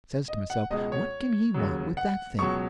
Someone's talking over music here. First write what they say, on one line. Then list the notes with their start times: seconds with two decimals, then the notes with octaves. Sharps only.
I says to myself, what can he want with that thing?
0.28 D#5
0.50 F#5
0.71 C#2 B2 G#3 D#5
0.92 C#5
1.54 D#2 C#3 F#3
1.97 F#5
2.38 C#2 B2 F#3 C#6